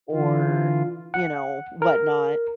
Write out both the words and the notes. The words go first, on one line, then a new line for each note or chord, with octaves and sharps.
or, you know, whatnot,
D3 E3 F4
F#5
A#4